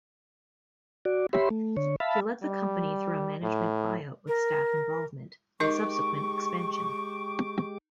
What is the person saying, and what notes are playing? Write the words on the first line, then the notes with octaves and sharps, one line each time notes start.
He led the company through a management buyout with staff involvement, and subsequent expansion.
F#4 D5
G4 C#5 E5 B5 C6
A3
D3 C#5
E5 F5 A5 B5
G3
A2
A#4
G#3 D#4 G4 A#4 D#5 C#6 D6